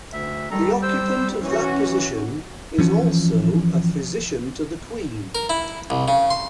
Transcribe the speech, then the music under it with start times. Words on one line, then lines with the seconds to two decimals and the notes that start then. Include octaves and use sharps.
The occupant of that position is also a Physician to the Queen.
0.13 D2 E5
0.51 D#3 G3 A4 A#5
0.82 C5 E6 G6
1.42 E3 C#4 F#4
2.78 E3 F3 C#4
5.35 A#4
5.50 E4
5.90 C2
6.08 C#3
6.30 C6